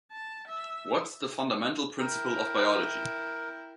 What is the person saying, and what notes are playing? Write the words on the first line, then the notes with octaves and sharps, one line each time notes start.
What's the fundamental principle of biology?
A5
E5
E4 A#4 G5